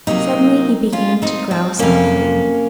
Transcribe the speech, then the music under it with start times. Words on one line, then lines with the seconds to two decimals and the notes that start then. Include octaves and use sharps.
Suddenly he began to growl softly.
0.07 C3 F#3 A#3 C4 D#4
0.92 C#4 F4
1.22 C4 D#4
1.51 C4
1.79 F2 C3 F#3 A#3 C#4